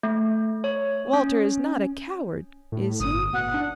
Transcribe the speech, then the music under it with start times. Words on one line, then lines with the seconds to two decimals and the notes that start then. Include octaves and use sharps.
'Walter is not a coward, is he?'
0.03 A3
0.64 C#5
1.13 C#4
2.72 A2
3.00 G1 D#6
3.33 B2 F#5
3.54 D4